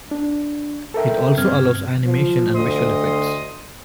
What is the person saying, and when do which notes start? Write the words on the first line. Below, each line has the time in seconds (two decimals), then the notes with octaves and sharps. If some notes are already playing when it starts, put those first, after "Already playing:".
It also allows animation and visual effects.
0.11 D4
0.94 A4 A#4 E5 G5
1.38 G2 C4 F6 G#6
2.05 F3
2.55 D2 D#5 C6 D#6